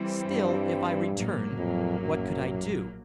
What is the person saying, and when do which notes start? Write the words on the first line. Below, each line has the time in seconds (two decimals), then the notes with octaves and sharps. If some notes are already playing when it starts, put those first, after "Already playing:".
Still, if I returned, what could I do?
Already playing: E3 G3 C4
0.27 G2
1.14 A#1 A2 F#3 A#3
1.57 F2
1.99 F#2